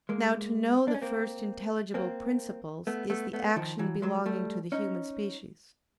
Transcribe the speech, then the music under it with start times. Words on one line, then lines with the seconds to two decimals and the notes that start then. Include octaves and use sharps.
Now to know the first intelligible principles is the action belonging to the human species.
0.09 G#3 A#3
0.88 D4
0.94 C#4
1.02 A#3 C4
1.94 A#3 C4
2.87 A3 B3
3.10 A3 B3
3.33 A3 B3
3.56 D#3 F3
3.79 E3 F#3
4.02 F#3 G#3
4.26 G3 A3
4.72 C#4 D#4